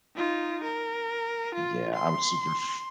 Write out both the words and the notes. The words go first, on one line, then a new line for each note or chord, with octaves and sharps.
yeah, I'm super f
D#4 F4
A#4
F4
C6